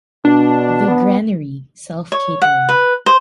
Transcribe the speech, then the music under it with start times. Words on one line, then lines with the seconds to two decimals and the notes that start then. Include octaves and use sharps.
The Granary - self-catering.
0.25 B2 D4
0.88 B3
2.12 C#5
2.42 F#5
2.69 B4
3.06 C5